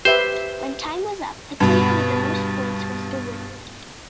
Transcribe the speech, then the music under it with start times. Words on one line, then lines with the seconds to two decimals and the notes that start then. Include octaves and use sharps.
When time was up, the player with the most points was the winner.
0.05 G4 B4 C5 E5
1.60 G2 B2